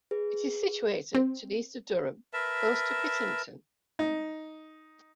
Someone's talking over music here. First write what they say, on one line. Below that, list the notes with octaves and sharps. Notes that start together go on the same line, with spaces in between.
It is situated to the east of Durham, close to Pittington.
G#4 B4
C4
A#4 B4 E5 A5
D#4